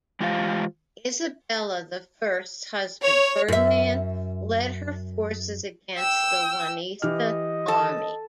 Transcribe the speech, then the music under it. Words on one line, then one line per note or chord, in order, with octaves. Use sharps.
Isabella the First's husband Ferdinand led her forces against the Juanista army.
E3 G#3 F4 G4 C5 F5
C#5
F#2 E5
G5 E6
E3 G4 D#5 F6
A4 A5